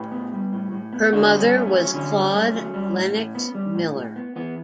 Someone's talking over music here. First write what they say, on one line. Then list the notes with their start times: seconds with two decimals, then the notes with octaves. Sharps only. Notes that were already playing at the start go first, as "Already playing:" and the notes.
Her mother was Claude Lennox Miller.
Already playing: A2 G4 B4
0.11 B3
0.33 G3
0.53 A2
0.72 A2
0.93 B3
1.13 D3 D4 F#4
1.33 G2
1.40 C#4
1.54 A3
1.67 C#4
1.73 F#3
1.94 D3 C#4
2.14 G2
2.34 A3
2.54 F#3
2.74 G3
2.95 A2
3.15 A2
3.35 B3
3.55 G3
3.75 A2
3.96 A2
4.16 B3
4.36 E3 B3